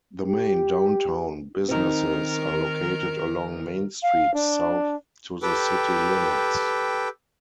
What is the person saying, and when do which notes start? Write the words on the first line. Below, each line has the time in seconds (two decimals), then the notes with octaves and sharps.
The main downtown businesses are located along Main Street south to the city limits.
0.25 G4
1.69 D#3 C4 D#4 A#4
4.03 F5
4.34 D4
5.43 G4 A4 B4 G5